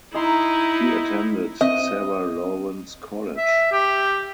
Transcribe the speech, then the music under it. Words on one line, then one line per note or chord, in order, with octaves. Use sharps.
He attended Sarah Lawrence College.
D#4 E4 D#5 A#5 C6
C4 D#5
E5
G4